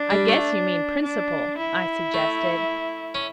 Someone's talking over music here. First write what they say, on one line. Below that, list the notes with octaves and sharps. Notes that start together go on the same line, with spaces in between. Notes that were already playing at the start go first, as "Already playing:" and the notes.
"I guess you mean principle," I suggested.
Already playing: D4
G3
A3
D4
E4
A3
C#4